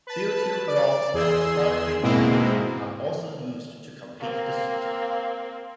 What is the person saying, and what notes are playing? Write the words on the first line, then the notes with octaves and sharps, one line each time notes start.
Butyl gloves and respiratory equipment are also used to complete the suit.
B4 A5
D5
E2 G#4 C6 E6
G#2 B2 G#3 A#3 C4 E4
A#3 C4